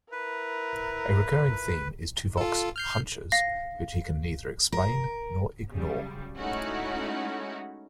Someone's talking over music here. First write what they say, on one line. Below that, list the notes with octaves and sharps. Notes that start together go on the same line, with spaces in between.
A recurring theme is Tuvok's "hunches", which he can neither explain nor ignore.
E4 A#4 B4
F4 A4
F6 G6 C7
F5 A#6
A#4
C#3 F#3 G3
G#3 A3 C#4 D#4 E4 F#4